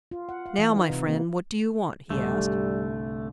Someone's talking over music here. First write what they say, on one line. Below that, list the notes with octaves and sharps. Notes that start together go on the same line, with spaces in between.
"Now, my friend, what do you want?" he asked.
F4
F#5
F5
E3
D#4
C3
A#3
C2 G#2 D3 G3 A3